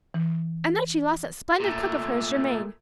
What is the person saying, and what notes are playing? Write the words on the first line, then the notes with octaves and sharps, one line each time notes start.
And then she lost that splendid cook of hers, Germaine.
E3
A#2 A3